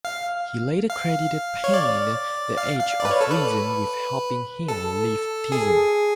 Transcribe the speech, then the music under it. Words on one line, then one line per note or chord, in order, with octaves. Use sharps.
He later credited Paine's "The Age of Reason" with helping him leave theism.
F5
F5
C#5
D5
F5
F5
D5
B4
C#5
A4
B4
A4
G#4